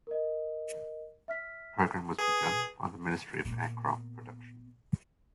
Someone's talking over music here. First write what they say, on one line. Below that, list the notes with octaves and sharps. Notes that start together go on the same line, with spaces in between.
The program was begun by the Ministry of Aircraft Production.
A#4 D#5
E5 F6 B6
G#4 B4 D#6
A#2 B3